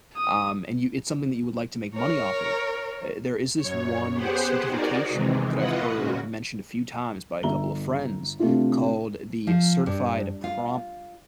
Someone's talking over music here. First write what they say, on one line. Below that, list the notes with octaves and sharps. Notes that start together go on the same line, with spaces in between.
um, and you it's something that you would like to make money off of, eh, there is this one certification that I've heard mentioned a few times by a couple of friends, called the certified prompt
D#6
A#4 C#5
F#2 C#5
B3 G4 G#4 C5 F#5
D#4 F#4 G#4 A#4 D5
C3 D#3 E3 G#3
E4 F4 B4 D#5 F#5
A#2 C#3 F#4
G1 E5 A#5 G7
C3 A3 D4 E4 F4
F3
G2
F4